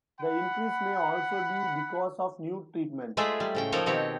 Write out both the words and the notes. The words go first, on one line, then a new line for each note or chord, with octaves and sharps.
The increase may also be because of new treatments.
F#5 B5
G#3 A3 F4 G#4 D5 E5
G3
A2 C#3 G5
F3 A#3 D#4 A4 A#4 C#5
B2 D#3 C4 G4 C#5